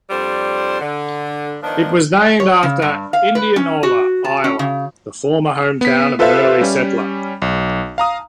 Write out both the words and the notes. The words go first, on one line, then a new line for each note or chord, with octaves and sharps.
It was named after Indianola, Iowa, the former hometown of an early settler.
F2 G3 D4 C5
D3
D#3 F3 B3 D4 D#4
C#5
C#3
G2
F5
B4
C#4
F#4
A5
C#4
C#3
B3 B6
F4 A4 B4 C5 E5 F5
G3 C#4
B1
F5 A#5 D#6